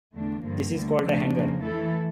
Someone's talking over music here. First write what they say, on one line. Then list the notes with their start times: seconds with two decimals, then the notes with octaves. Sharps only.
This is called a hanger.
0.14 E2 D3 A3 D4
0.43 G2 D3 F3 A#3
0.74 D2 D3 G3
1.03 D2 C#3 F3 A3 D4
1.32 F2 C#3 F3 A#3
1.61 E3 A3 E4 A4